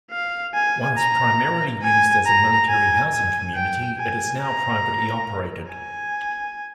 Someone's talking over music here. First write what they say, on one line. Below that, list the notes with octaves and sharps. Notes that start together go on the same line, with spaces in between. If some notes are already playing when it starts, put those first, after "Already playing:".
Once primarily used as a military housing community, it is now privately operated.
F5
G#5
A#5
G#5
A#5
G#5
G#5
G5
G#5
A#5
G#5